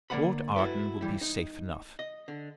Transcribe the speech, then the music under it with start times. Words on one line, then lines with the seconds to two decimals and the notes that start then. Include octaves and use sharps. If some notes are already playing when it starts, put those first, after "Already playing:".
Lord Arden will be safe enough.
0.10 D3 A#3 A#4 D5 F#5 B5
0.56 E4 F#4 A4 B4
1.01 E3 G3 E4
1.21 D#4
1.99 D#5
2.28 D3